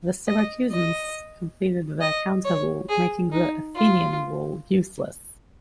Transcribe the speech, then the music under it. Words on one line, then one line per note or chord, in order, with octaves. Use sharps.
The Syracusans completed their counter-wall, making the Athenian wall useless.
D#5
D#5
D#5
C#5
G#4
D#4
F4